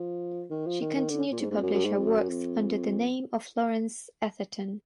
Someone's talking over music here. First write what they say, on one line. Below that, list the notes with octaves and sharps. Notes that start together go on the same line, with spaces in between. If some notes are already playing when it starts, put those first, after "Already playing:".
She continued to publish her works under the name of Florence Atherton.
Already playing: F3
D#3
F3
D#3
D#3
D3
A#2
G#2
G#2
F2
F#2
F#2
G#2
F2
F#2
F2